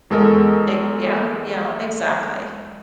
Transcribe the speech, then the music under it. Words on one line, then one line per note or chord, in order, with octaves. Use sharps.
E yeah, yeah, exactly.
E2 G#3 A4 A#4 D#5